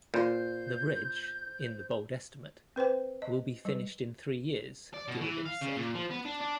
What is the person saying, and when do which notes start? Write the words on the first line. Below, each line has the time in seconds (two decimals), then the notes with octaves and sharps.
"The bridge, in the bold estimate, will be finished in three years," Gurevich said.
0.14 A#2 C5 C6 G6
2.76 C4 B4 C5 G5
3.22 D#5
3.65 G3 B4
4.94 D5
5.08 B2
5.21 E3
5.45 F5
5.61 C#3
5.76 A#2
5.95 F3
6.10 B3
6.25 D4
6.41 D4